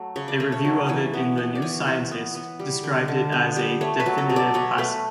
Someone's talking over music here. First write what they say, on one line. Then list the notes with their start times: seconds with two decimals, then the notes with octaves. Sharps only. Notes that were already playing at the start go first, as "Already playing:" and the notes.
A review of it in the "New Scientist" described it as a "definitive classic".
Already playing: F#3 A3
0.16 C#3 C#5
0.28 D5
0.40 A3 C#5
0.52 C#5
0.65 F#3
0.89 E3 C#5
1.14 B3
1.38 B3
1.55 D5
1.62 E3 C#5
1.87 E3
2.11 B3
2.35 B3
2.59 G3
2.83 D3
3.08 D3
3.32 B3
3.56 G3
3.81 A3 C#5
4.00 B4
4.06 F#3
4.18 A4
4.30 B2
4.36 D5
4.54 B2 C#5
4.78 A3 B4